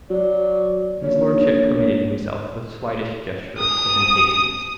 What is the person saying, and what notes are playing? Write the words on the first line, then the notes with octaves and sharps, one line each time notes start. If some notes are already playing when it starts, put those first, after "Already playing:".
His lordship permitted himself the slightest gesture of impatience.
F#3 D5
A#1 C#5
D#6